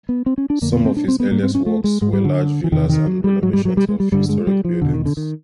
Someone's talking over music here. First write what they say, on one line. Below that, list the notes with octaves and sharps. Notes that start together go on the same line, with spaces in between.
Some of his earliest works were large villas and renovations of historical buildings.
B3
C4
C#4
D4
F2 D3 A#3
B3
C4
D4
C4
B3
G#2 A#3
C4
C#4
A3
G#3
G#2 G#3
G3
D3
E3
E2 C3 D#3
D#3
F#3
G3
G#2 F#3
G3
F#3
G3
G#3
G3
G2 D3 G3
G#3
G3
F3
E2 B2 D3
D#3
D3
D#3